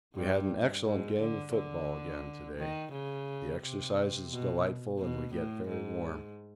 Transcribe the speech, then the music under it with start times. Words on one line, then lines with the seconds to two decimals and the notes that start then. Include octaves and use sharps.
We had an excellent game of football again to-day--the exercise is delightful and we get very warm.
0.16 G2
0.85 G#2
1.20 D3
1.54 D3
2.58 D#3
2.93 C#3
3.61 C3
4.30 B2
4.99 B2
5.34 A2
5.69 G#2